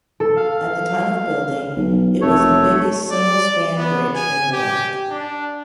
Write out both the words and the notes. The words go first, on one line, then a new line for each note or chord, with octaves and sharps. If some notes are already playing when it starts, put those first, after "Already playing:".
At the time of building, it was the biggest single-span bridge in the world.
A4
F5
B1
F1 A3 C#5
D5
B3
G#5
G4
D4